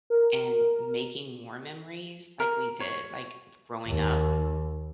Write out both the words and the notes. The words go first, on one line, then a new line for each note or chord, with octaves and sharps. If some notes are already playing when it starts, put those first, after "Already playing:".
and making more memories, like we did, like, growing up,
A#4
A#4
C#5
D#2